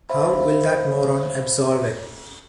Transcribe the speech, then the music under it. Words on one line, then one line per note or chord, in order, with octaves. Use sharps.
How will that moron absolve it?
C5 E5 F5 B5